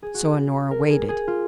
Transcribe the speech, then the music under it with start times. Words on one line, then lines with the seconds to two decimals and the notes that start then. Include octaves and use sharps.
So Honora waited.
0.03 G#4
0.14 F#4
0.71 A#4
0.90 G#4
1.09 G#4
1.28 F4